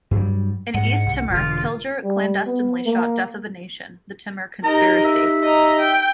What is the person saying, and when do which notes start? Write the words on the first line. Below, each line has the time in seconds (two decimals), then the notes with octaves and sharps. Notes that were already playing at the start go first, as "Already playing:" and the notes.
In East Timor Pilger clandestinely shot "Death of a Nation: The Timor Conspiracy".
0.11 G2 F#3 G3
0.74 G#2 G#3 F#5
1.06 C2
1.31 E1 A#2 D3 F4
2.04 G3
2.46 B3
2.86 A#3
4.64 D#4 G4 A#4 D#5 A#5
5.04 E5
5.43 D#5 A#5
5.80 G5